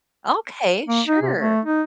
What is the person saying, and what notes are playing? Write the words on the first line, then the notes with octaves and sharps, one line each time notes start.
Okay, sure.
A#3
D#4
C3
A3
D#4